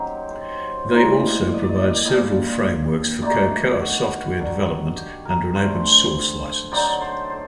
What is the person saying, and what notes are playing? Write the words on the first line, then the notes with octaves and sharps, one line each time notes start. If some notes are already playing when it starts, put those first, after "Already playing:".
They also provide several frameworks for Cocoa software development under an open source license.
Already playing: F#2 F#3 C4 D#4 G4
C5
A2 G3 A#3 D#4
D5
D#5
D5
D#5
D5
D#5
D5
A#2 G3 D4 D#5
D3 A3 D#4 D5
F#4
D#3 G3 D4
G4
A#4
D3 A3 C4 C5
D3 F#3 C4 D#4 D5
C5
C5